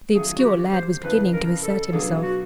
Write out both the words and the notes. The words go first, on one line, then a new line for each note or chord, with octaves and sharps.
The obscure lad was beginning to assert himself.
D#3 F#3 A3 C#4 F4 G#4
F#4
G4
C5
F2 C#3 E3 B4
A#4
A4
A4
B2 F#3 B3 D4 F4 G#4
F#4